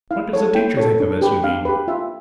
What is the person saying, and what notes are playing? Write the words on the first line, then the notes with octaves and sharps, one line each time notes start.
"What does the teacher think of us, you mean?"
E4 F5
A4 C#5
E4 G5
A4 C#5
D4
G4 B4
D4 F5
G4 B4
F4 E5